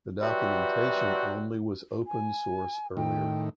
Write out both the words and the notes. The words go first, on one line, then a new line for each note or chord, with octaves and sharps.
The documentation only was open source earlier.
E3 F#3 G3 C4 F#4
G#5
A2 D#3 G5